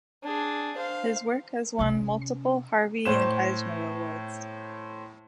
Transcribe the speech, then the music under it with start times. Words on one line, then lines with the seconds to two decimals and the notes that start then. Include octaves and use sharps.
His work has won multiple Harvey and Eisner Awards.
0.24 D4 G#4
0.77 C5 F5
1.79 C3 C#4
3.05 A2 C5 E7